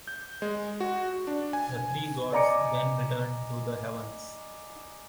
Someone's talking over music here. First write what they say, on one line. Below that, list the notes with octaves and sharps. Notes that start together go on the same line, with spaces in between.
The three gods then returned to the heavens.
G6
G#3
F#4
D4
G#5
D5 D#5 G#5 A#5 D6 C#7